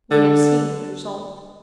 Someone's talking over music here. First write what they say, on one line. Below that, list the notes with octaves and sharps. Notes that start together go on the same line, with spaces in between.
We have seen the result.
D3